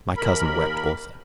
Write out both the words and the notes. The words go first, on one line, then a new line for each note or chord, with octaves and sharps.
My cousin wept also.
D#2 A#4 B5